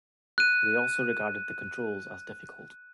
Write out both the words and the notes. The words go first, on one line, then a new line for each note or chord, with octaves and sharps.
They also regarded the controls as difficult.
F#6 D#7